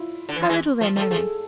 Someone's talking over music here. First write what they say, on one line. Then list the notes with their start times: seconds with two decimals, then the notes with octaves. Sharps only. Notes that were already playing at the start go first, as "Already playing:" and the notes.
"How little they know me!"
Already playing: E4 F4
0.29 D3
0.36 E3
0.43 F3
0.49 E3 G#3
0.81 F3 A3
0.96 F3 A3
1.01 A4
1.11 F3 A3 G#4